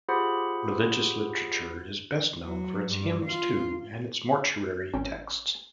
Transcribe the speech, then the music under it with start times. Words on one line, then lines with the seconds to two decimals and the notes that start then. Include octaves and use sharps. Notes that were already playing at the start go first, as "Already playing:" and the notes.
Religious literature is best known for its hymns to and its mortuary texts.
0.08 F4 G4 G#4 C5 F#5 B5
2.43 F#3
2.90 G2
3.24 F4
4.94 G#1 C#4 G5